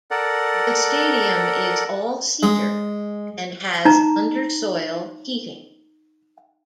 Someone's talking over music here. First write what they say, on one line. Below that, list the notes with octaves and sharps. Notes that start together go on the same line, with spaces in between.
The stadium is all seater and has under-soil heating.
A4 A#4 D5 F#5
G#3
D#4 A#5